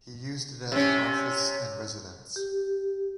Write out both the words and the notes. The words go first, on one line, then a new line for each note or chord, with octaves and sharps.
He used it as his office and residence.
C3 C#4
G4